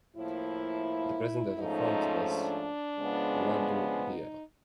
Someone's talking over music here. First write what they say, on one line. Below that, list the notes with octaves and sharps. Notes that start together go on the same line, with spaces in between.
The president of the front was Mamadou Dia.
A2 F3 A#3 E4
G#2 F3 A3 C#4 D#4
D4
C#3 F3 G#3 B3
D4
D#4